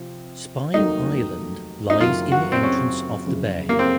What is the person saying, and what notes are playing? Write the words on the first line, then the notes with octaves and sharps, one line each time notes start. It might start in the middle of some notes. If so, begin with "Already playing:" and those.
Spine Island lies in the entrance of the bay.
Already playing: C3 F3 C4
F1 D#2 D#3 F#3 A3 D#4
D#4
F#1 F#2 D#3 F#3 F4
F#4
C4
C#4
F#1 F2 C#3
A#3
C4